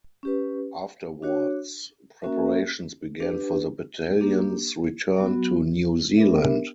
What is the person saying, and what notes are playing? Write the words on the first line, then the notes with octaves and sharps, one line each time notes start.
Afterwards, preparations began for the battalion's return to New Zealand.
C#4 G4 B4
D4 F#4 C#5
A#3 C#4 F#4 A#4 E5
D4 G4 B4
A#3 D4 G4
F#3 B3 F#4
B3 D4 G4 A#4 E5